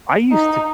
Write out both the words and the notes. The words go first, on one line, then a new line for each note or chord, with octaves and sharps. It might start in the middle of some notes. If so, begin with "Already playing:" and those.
I used to
D#4